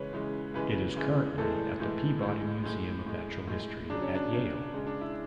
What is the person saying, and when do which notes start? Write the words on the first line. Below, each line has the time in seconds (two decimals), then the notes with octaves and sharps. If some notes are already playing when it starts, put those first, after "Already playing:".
It is currently at the Peabody Museum of Natural History at Yale.
Already playing: C#3 E3 G#3 B4 C#5
0.13 C#3 E3 G#3
0.54 C#3 E3 G#3 B4
0.96 C#3 E3 G#3
1.38 A2 E3 G#3 A4
1.80 A2 E3 G#3
2.22 A2 G#3
2.64 A2 G#3
3.06 A2 G#3
3.47 A2 G#3
3.90 C#3 F#3 D4
4.02 C#4
4.15 D4
4.32 C#3 F#3
4.74 C#3 G#3
4.87 D4
5.01 E4